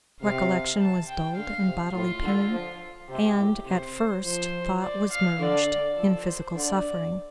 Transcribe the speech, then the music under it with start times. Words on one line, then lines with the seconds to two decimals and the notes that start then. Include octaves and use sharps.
Recollection was dulled in bodily pain, and, at first, thought was merged in physical suffering.
0.21 C3 F5
0.80 A5
1.08 G5
1.36 D3 F5
1.65 C3
1.94 A2 F4
2.23 D3
2.51 F3
3.09 C3 G4
3.38 A2
3.66 C3 C5
4.24 F3 C5
4.82 D5
5.11 F5
5.39 D3 D5
5.97 F3 A4
6.26 C5
6.54 D3 D5